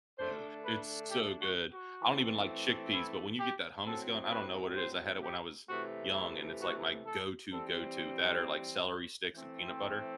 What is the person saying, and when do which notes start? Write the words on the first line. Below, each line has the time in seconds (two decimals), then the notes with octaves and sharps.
Dude, it's so good, I don't even like chickpeas, but when you get that hummus going, I don't know what it is, I had it when I was young, and it's, like, my go to go to, that are like celery sticks and peanut butter,
0.19 D3 A3 D4 C5
0.65 B4
1.10 G4
1.41 F#4
1.72 F#4
2.02 E3 A3 C4
2.94 E4
3.39 G4
3.86 A2 F#3 C4 A4
4.31 B4
4.77 C5
5.22 G4
5.69 C3 E3 A3 F#4
6.14 E4
6.61 F#4
7.06 A4
7.51 E3 G3 C4 A4
9.35 E3 A3 C4